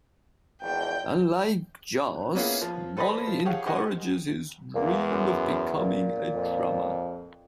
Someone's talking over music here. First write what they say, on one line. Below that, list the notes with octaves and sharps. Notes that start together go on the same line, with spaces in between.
Unlike Zosh, Molly encourages his dream of becoming a drummer.
G#1 E2 G5
A#3 B3 C#4 E4 F4 G#4
F3
A4 B4 C5 D5 D#5 B5
F3
G4 G#4 C#5 F5 F#5
G4 A#4 C5 D#5 F#5 G#5
E2 A#3
F#2
A#2
F2